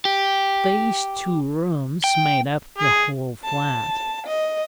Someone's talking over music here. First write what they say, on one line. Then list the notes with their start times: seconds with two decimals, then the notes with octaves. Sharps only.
These two rooms made up the whole flat.
0.05 G4
2.04 G5
2.78 G#4
3.46 A5
4.28 D#5